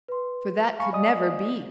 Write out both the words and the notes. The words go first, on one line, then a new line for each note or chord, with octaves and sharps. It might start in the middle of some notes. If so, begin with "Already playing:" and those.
For that could never be.
B4 C6
F5 G#5 B5 C#6
D5 D#5 G#5 D#6